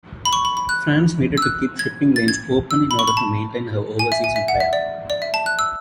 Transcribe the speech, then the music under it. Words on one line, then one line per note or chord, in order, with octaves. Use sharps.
France needed to keep shipping lanes open in order to maintain her overseas empire.
B5
C#6
B5
B5
F#6
E6
F#6
G#6
A6
G#6
E6
B5
C#6
B5
A5
G#5
E5
G#5
E5
F#5
E5
D5
D5
E5
A5
F#6
E6